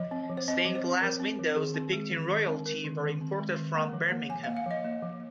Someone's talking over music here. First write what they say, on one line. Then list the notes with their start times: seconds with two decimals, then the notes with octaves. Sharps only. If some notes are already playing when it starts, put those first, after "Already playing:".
Stained glass windows depicting royalty were imported from Birmingham.
Already playing: F3 D#5
0.11 C4
0.29 F3
0.37 C5
0.48 C4 D#5
0.66 F3
0.75 C5
0.84 C4
1.02 F3 A#4
1.20 C4
1.39 F3
1.56 D#3 G#4
1.75 C4
1.93 G#3
2.11 D#3
2.30 D#3
2.48 C4
2.66 G#3 A#4
2.84 D#3
3.03 D#3
3.21 C4
3.39 G#3
3.57 D#3
3.75 A#3 A#4
3.93 F3
4.12 A#3
4.29 F3 G#5
4.44 A#3 F5
4.57 F5
4.66 F3 D#5
4.84 A#3
5.02 F3